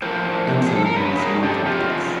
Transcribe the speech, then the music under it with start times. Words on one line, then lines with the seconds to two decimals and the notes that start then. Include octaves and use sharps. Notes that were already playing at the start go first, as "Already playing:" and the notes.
Empson's view is more complex.
0.02 A2 F3 A#4 C5
0.67 G#4
0.76 A4
0.86 A#4
0.96 F#2 C#3 B4
1.19 G#4 A#4
1.43 G4 A4
1.66 F4 G4
1.89 F2 C#3 F3